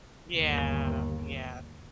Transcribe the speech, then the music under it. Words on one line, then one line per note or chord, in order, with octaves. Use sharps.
Yeah. Yeah.
G1 D#2